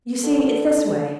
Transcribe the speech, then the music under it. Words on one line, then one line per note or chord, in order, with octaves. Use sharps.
You see it's this way.
D3